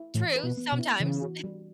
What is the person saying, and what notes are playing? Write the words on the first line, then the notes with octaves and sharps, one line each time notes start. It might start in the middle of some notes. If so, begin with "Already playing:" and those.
True, sometimes.
Already playing: E4
A2 E3
B4
B2
B3
B2
E4
C#3 E3
F#4
G3